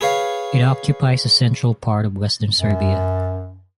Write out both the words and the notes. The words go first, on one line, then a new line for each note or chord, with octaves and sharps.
It occupies the central part of western Serbia.
G#4 B4 C#5 F5
F#2